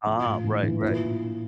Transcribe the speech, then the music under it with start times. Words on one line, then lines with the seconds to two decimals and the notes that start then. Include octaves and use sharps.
Uh-huh. Right, right.
0.07 E3 F4
0.26 A2
0.44 E3
0.63 E3
0.82 A#2 E4